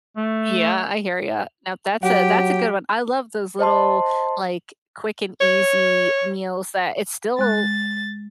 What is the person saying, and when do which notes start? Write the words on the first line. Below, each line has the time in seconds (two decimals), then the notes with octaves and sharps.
Yeah. I hear you. Now that's a that's a good one. I love those little, like, quick and easy meals that it's still
0.17 A3
2.03 F#3 G4 F#5
3.59 C5 D#5 A5 C6
5.41 C#5
7.39 G#3 F#6 A6